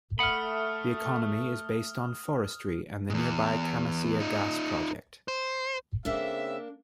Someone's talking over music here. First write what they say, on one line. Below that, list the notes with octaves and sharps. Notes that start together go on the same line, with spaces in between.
The economy is based on forestry and the nearby Camisea Gas Project.
A3 F#5 B5 D#6 F6
E2 G#2
D#4 F4
C5
C#3 A#3 C4 D4 E5